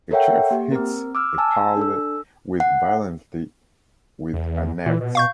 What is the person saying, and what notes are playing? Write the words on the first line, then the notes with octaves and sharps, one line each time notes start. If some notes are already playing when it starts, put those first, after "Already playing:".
A chef hits Epalle with violently with an axe.
A4 A#4 C#5 E5 F#5 G5
A#3 G4
C4 A#4
D6 E6 F6
G#5 A5 E6
D4 A4 E6
F#5
E2
A#2 E3
B2
F5 C#6 G6